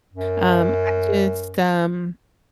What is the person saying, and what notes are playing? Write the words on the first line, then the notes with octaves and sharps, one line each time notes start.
Um, I just, um
F#2